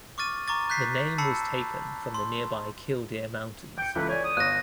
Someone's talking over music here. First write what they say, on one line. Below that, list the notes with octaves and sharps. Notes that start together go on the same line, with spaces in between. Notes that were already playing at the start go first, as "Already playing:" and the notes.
The name was taken from the nearby Killdeer Mountains.
C#6 D6 F6 A6 D#7
A#5 C#6 D6 A6
F#6 G6 B6 C7
A5 B5 E6 C7 C#7
C6
G5 G6 C#7
C#2 E3 A4 B4
C#5 D5 G#5
D#6
G1 F#6 A#6